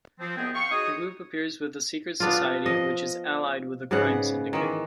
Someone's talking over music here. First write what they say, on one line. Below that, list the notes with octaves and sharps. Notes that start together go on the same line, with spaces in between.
The group appears with the Secret Society, which is allied with the Crime Syndicate.
F3 C4
C2 B3 C4 G#4 D#5 G5
F5 G5 C6 C#6
D#4 F#4 G#4 C#5 D#6
B3 D4 F4
F3 D#5
G#2 C#3 B3 F#5
D#3 E3